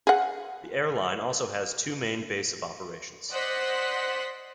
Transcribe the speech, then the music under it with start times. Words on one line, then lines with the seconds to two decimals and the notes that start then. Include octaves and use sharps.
The airline also has two main base of operations.
0.07 G#4 F#5
3.31 C5 D5 D#5 F#5 F#6 B6